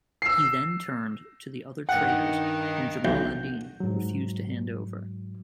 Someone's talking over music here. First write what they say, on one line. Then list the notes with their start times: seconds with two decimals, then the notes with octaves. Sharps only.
He then turned to the other traitors, whom Jamal ad-Din refused to hand over.
0.22 E6 C7
1.89 G2 D#3 D#4 F#5 G5
3.05 B1 G6
3.80 G#2 F#3